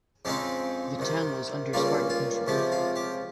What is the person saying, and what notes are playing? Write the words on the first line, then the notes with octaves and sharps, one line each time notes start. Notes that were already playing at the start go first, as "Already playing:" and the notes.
The town was under Spartan control.
F2 C#3 G#3 C4 D#4 G4
C2 C3 D#3
C#2 C#3 G3 A#3 F4
F4
C#2 C3 F3 G4
F4
G4